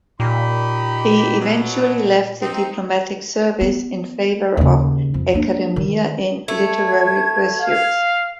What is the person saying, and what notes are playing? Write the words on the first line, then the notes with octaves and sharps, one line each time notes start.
He eventually left the diplomatic service in favour of academia and literary pursuits.
A#2 D#4 G4 B5
B2 F#3
C4 D#4
B3
D#2 C#3
F2
A#3 D4
D#3
A3 G#6
F5